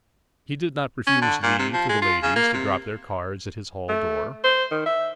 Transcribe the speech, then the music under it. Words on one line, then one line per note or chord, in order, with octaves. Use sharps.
He did not refuse leave to the ladies to drop their cards at his hall-door.
C#4
D3
A#2
C3
F3
G#3
F4
C#3
A#3
C3
A3
C5
D#3
E5